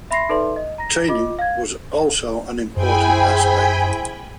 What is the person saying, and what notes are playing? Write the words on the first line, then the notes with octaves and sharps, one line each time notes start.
Training was also an important aspect.
E5 B5 C6 A#6 C7
D#4 A4 B4 D5 E5 C6
D#5
A#5 A#6
F4 D#5 D6
F5 G#6
F#2 E4 G#4 C5 G5 G#5 B5